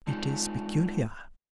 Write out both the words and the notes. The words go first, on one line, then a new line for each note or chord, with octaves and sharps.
It is peculiar.'
G#3 D4 D#4 F4